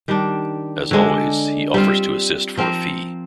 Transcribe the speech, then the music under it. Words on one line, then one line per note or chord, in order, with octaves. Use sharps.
As always, he offers to assist for a fee.
D#3 G3 D4
D3 G#3 D4
G3 C4 F4
F3 C4 F4 A#4